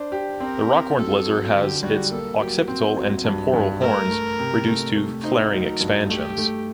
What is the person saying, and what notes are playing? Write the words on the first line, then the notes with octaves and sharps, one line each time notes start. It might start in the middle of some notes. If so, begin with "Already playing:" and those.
The rock horned lizard has its occipital and temporal horns reduced to flaring expansions.
Already playing: D4 C5
G4
C4 A#4
C4
F#3 A4
F#3
D3 G4
G3 F#4
A#3 A4
F#3 G4
C4
F#3
G2
G2
A3 A#4
A3
C3
A3
A3
D#4 C5
F#3 A#4
G2
A3 G4
A3